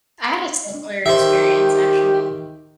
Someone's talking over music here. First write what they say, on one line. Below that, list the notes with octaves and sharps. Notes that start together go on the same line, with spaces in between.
I had a similar experience actually,
D#3 G4 C5 E5